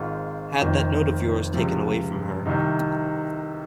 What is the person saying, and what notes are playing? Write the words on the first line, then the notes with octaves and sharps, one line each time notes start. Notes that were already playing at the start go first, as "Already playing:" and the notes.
Had that note of yours taken away from her.
Already playing: G#1 G#2 D#3 F4
F1 F2 D#3
C#2 C3 F3
C2 C3 D#3 D#4